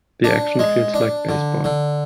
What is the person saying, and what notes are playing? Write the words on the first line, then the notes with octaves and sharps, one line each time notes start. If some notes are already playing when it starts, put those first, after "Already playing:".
The action feels like baseball.
D4
G#3
D4
D3
D3